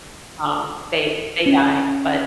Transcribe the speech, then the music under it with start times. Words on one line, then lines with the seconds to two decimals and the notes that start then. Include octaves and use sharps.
um, they they die, but
1.46 C#4